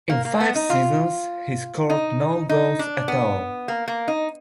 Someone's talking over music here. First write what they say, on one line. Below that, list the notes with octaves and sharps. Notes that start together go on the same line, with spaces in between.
In five seasons he scored no goals at all.
A#3
A#3
B3
D#4
F4
D#4
D#4
D4
B3
A#3
A#3
D#4